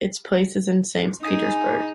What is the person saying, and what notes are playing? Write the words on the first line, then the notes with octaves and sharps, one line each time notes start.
Its place is in Saint Petersburg.
D#4 G#4 G#5 D#6